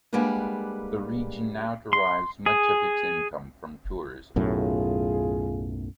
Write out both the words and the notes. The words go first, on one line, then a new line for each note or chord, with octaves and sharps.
The region now derives much of its income from tourism.
G3 G#3 A#3 D4 B4 F#5
C6
G#4
B1 F#2 A2 F4 G#4